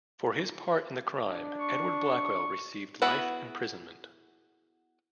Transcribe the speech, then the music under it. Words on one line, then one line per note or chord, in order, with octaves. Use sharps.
For his part in the crime Edward Blackwell received life imprisonment.
D4
C#6
B3 E4 F#4 G#4 B4